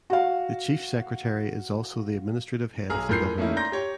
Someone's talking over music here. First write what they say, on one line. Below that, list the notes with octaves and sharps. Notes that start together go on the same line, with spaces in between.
The chief secretary is also the administrative head of the government.
F#4 F5
B1 G#4 A#5 F6
F2 A2 A#4 G6 C7
A3 A#3 C#4 D#4 E4
D5 A#5 C6 G6 A#6
G4 C#5